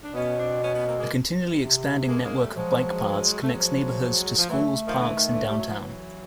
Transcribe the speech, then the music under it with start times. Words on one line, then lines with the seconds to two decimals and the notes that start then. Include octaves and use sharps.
A continually expanding network of bike paths connects neighborhoods to schools, parks and downtown.
0.04 D4
0.14 B2 B3 C#4
0.37 C4 D4
0.62 B3 C#4
0.74 B3 C#4
0.86 A#3 C4
0.98 G#3 A#3
1.59 C3
2.07 G#3 A#3
2.24 G#3 A#3
2.40 G3 A3
2.56 F3 F#3 G#3
3.41 A3
3.53 F3 F#3 G#3
4.39 F3
4.49 E3 F#3 A3
4.86 D#3 F3
4.98 D3 E3
5.15 D#3
5.31 D3 E3
5.47 G3
5.57 F#3
5.67 F3
5.77 E3 F#3